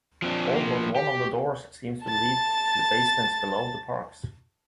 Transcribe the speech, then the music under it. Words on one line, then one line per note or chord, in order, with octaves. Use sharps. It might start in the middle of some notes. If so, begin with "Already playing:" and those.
All but one of the doors seem to lead to basements below the parks.
F3 C4 D4
F3 A#3
G4
A5 A6